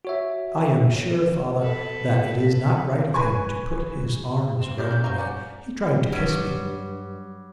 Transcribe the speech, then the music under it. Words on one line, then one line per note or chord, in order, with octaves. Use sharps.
'I am sure, father, that it is not right of him to put his arms round me--he tried to kiss me.
F#4 C#5 E5
A4 B4
B4 G#5 C#6
C4 E7
G4 A#4 D5 G6
C#4 D5
E4 C5 C#5 F5 A#5
C#4 D5 F#5
G2 F#3 G3